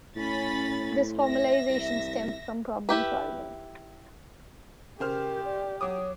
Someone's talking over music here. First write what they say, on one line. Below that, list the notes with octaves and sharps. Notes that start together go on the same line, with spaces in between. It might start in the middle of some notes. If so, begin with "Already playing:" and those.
This formalization stems from problem solving.
A2 C#4 B5 A6
E5 A#6
C2
E4 G4 B4
C#3 G4 A#4 C5 F6
D5
F#3 C#5 D6 D#6